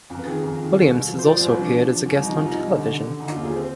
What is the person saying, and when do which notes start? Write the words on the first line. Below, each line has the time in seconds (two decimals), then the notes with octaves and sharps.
Williams has also appeared as a guest on television.
0.10 F2
0.19 B4
0.26 D#3 G#4
0.43 F2
0.58 D#3
0.75 C2
0.91 C3
1.07 F3
1.19 C5
1.24 F3 D5
1.36 C2 C5
1.48 B4
1.57 F3 D4
1.73 F3
1.89 F3
2.05 C2
2.22 F3 D#4
2.34 C2 F4
2.46 D#4
2.54 C2
2.70 D3
2.87 D3
3.04 D3
3.20 D3 D#4
3.31 F4
3.36 D#2
3.44 G#4
3.56 C4